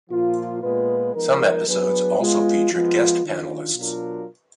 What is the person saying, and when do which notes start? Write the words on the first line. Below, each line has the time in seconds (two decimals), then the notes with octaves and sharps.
Some episodes also featured guest panelists.
0.10 A#2 F3 A#3 F4
0.62 A#2 G#3 B3 F4 B4
1.14 F3 G#3 B3 D#4 A#4
1.66 F#3 B3 D4 G#4 B4
2.18 G#3 B3 F4
2.71 F3 G#3 B3 F4
3.23 D#3 F#3 D4 F4
3.75 B2 F#3 D4 F4 A#4